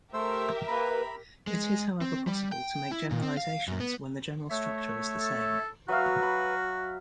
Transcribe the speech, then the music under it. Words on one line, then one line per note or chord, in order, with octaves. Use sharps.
It is however possible to make generalizations when the general structure is the same.
A3 G4 A#4 C5 E5 E6
A#3 B4 A#5 B5
G#3
C4
G3
G5
E4
A#2
C4
F5
F#2
B3
A3 C#5 E5
A4
F#3 F#4 B4 E5 F5
B5